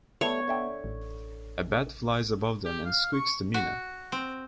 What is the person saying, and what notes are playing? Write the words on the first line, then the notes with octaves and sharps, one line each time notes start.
A bat flies above them and squeaks to Mina.
G3 A3 B3 C#5
D3 E5 G5
A1
G4
F5
C#6
F#4
C4